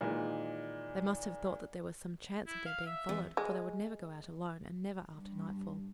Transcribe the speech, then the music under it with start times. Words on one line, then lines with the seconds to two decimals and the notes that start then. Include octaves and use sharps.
They must have thought that there was some chance of their being followed, for they would never go out alone, and never after nightfall.
0.01 A#2 D#3 E3 G#3
2.47 E4
2.66 F5
2.87 E5
3.09 E2
3.37 G#3
5.13 G2